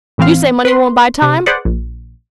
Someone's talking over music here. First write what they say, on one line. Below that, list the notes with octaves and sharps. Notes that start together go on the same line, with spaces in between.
You say money won't buy time?
A1 E3 C4 F5
B4 C6
C3
G#4 B4 C5 D5 F#5
A#1